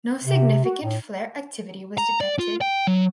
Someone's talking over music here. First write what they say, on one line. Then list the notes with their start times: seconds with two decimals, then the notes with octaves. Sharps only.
No significant flare activity was detected.
0.24 C3
0.64 F#4
0.82 A2
1.98 A#5
2.21 D5
2.39 F4
2.61 G5
2.87 F#3